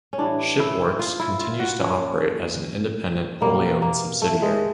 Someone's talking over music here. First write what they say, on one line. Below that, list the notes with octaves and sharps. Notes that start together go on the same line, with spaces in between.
ShipWorks continues to operate as an independent, wholly owned subsidiary.
C#4
A2 E3 G3 D4
E4
F4
E4
F4
F#4
A#2 F3 C#4
B2 G3 A#3
A#3
A3
G#3